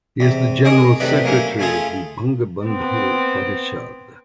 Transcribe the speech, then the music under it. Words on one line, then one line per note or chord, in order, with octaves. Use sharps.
He is the General Secretary of the Bangabandhu Parishad.
E2 C3
C2 G#4 C#5 D#5 D6
C3 D#3 G3 A3 B4
F#3 A#3 C#4 E4
A3 C#4 E4 F4 G#4
B3 C4